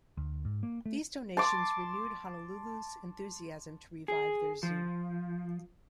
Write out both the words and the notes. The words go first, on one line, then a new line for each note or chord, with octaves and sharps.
These donations renewed Honolulu's enthusiasm to revive their zoo.
D2
G#2
A#3
A3
A5 C6 D6
G#4
F3